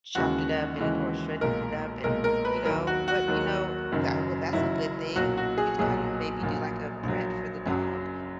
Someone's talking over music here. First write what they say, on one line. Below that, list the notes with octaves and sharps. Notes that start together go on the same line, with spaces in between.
chopped it up and or shredded it up and you know, what you know that well, that's a good thing. You could kinda maybe do, like, a prep for the dog
D#2 C#3 E3 G#3 F#4
D#2 C#3 E3 G#3
B1 A#2 G#3 A#4
B1 A#2 G#3 A#4
A#4
B4
D#2 D#3 F#3 A#4
F#4
F#4
D#2 D#3 F#3
F#1 F#2 D#3 F#3
F#1 F#2 D#3 F#3 E4
B1 A#2 F#3 F#4
F#4
G#4
B1 A#2 F#3 G#4
A#1 A#2 F#3
A#1 A#2 F#3
F#1 F#2 C#3 F#3